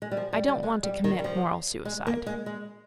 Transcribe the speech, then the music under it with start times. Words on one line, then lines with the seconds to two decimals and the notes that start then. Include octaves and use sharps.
I don't want to commit moral suicide.
0.02 G#3
0.11 G3
0.17 F3
0.33 G3
0.48 G3
0.63 G#3
0.83 G3
1.04 D#3
1.19 G3
1.24 F3
1.85 G#3
2.07 A#3
2.26 G#3
2.46 G#3